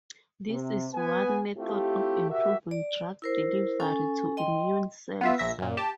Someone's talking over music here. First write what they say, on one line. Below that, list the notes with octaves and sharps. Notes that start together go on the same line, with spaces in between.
This is one method of improving drug delivery to immune cells.
C3
B3 B4 G#5
A3 C4 E4 F4 G4
F#4 G4 A#4 E5
D5
E4 A#4 C5
C#4 A4 G#5
D#5 G5 C6
B3 F4 E5
A#1 E5 A#6
F#2 A#2
G4 A5